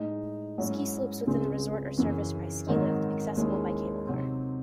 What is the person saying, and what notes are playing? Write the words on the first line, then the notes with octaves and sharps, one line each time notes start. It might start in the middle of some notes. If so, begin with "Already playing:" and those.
Ski slopes within the resort are serviced by ski lift, accessible by cable car.
Already playing: A2 G#3 D#4
G#2 F#3 C#4 E4
C#2 C#3 G#3 C4
F#2 C#3 E3
G#2 D#3 F#3 C4 D#4
D#2 D#3 G#3 C#4 E4
C3 F#3 C4 D#4